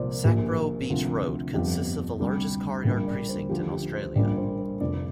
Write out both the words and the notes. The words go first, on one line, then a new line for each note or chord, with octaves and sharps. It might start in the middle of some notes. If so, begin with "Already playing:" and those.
Sacbrough Beach Rd consists of the largest car yard precinct in Australia.
Already playing: C2 A#2 F3 C5 D5
A#1 A#2 F3 G4
D2 C3 F3
G1 F2 F3 G4
D2 C3 G3
A#1 A#2 G3
D5
C5
D2 D3 F3 G4
G4
C5
A#1 A#2 G3 D5
C5
C5
F1 F2 D3 D5